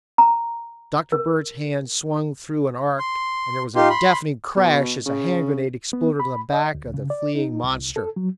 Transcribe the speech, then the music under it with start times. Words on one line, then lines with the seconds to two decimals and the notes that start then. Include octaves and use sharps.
Dr. Bird's hand swung through an arc, and there was a deafening crash as a hand-grenade exploded on the back of the fleeing monster.
0.18 A#5
1.12 A#4
2.99 C6
3.76 D#4 F4 G4 C6
3.90 B5 C6
4.56 B2
5.06 C#3
5.93 B3
6.20 B5
6.53 D#5
6.75 D2
6.94 C#3
7.10 D5
7.35 D#4
7.64 C2
7.96 A4
8.16 F#3